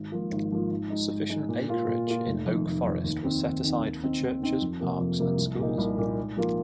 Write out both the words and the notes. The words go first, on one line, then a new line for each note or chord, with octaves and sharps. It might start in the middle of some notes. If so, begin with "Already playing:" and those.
Sufficient acreage in Oak Forest was set aside for churches, parks and schools.
Already playing: G#1
G#2 F3 A#3 F4
G#1
G#2 F3 A#3 F4
G#2
G#3 D#4
G#2
G#3 D#4
A#2
A#3 F4
A#2
A#3 F4
F1
F2 D#3
F1
F2 D#3
D#2
D#3 C4
D#2
D#3 C4
D#2
D#3 C4 D#4
D#2
D#3 C4 D#4
F2
C3 F3 A#3
F2
C3 F3 A#3
C2
A#2 A#3 D#4
C2
A#2 A#3 D#4
G#2
F3 A#3 F4